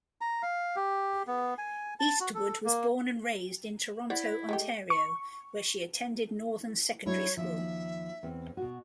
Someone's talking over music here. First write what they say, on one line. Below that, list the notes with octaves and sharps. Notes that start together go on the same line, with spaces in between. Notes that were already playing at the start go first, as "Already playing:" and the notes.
Eastwood was born and raised in Toronto, Ontario, where she attended Northern Secondary School.
A#5
F5
G4
B3
G#5
A5
F#4
A4
A#3
E4 C5 D5 F#5
G#3 A3 G4
C#6
F#3 D4 E4 C#5
D#2 F3 E5
E2 C4
B2 F#4